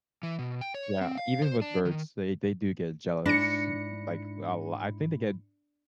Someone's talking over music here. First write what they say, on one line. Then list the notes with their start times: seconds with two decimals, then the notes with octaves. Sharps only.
Yeah, even with birds, they they do get jealous. Like, I'll I think they get
0.23 E3
0.39 B2
0.61 G5
0.74 C#5
1.01 C4
1.18 F5
1.42 C5
1.62 D4
1.85 D#3
3.26 G#2 D4 E4 B5 A#6 C#7